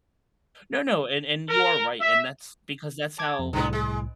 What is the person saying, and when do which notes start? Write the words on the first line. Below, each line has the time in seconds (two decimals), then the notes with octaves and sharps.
No, no. And and, you are right. And that's because that's how
1.49 A#4
2.00 E5
3.18 A5 D6 G#6
3.39 F2
3.53 C2 A2 D3 G#3 B3
3.73 G#3